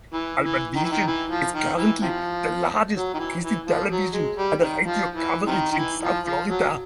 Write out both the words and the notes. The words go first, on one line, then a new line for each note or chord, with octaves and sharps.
Almavision is currently the largest Christian Television and radio coverage in South Florida.
E3
E3
D#3
E3
D#3
E3
F3
D#3
E3
C3 F3
F#3
D#3
E3
E3
F3
F#3
G#3
G3
D#3
F3
E3
C3 D#3
D#3
E3
F3
F3
F#3